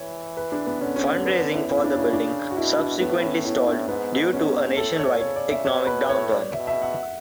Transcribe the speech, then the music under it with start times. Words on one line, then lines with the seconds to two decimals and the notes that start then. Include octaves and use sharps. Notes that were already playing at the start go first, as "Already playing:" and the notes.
Fundraising for the building subsequently stalled due to a nationwide economic downturn.
Already playing: E3 C#5
0.37 B4
0.52 D4
0.66 B3
0.81 D3 C#4
0.96 C#4
1.10 C#4
1.25 B3
1.40 C#4
1.55 E4
1.69 C#3 E4
1.77 C#4
1.84 D4
1.98 E4
2.13 D4
2.50 F#4
2.57 B2 E4
2.79 D4
3.00 A2 B3
3.23 C#4
3.45 E4
3.67 D4
3.88 G#2 B3
4.33 G#2 C#4
4.76 A2 A4
4.99 C#5
5.20 C#3 C#5
5.36 D5
5.50 E5
5.65 B2 C#5
5.87 B4
6.09 A2 C#5
6.31 D5
6.52 B2 E5
6.67 E5
6.82 F#5